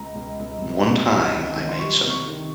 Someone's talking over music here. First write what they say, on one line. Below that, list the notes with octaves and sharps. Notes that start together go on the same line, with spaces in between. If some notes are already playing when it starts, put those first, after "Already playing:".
one time, I made some
Already playing: C#2 A#5
C#2
C#2
C3
C3
C#2
D#3
D#3
C6
G3 C#6
C3
C#6
D#3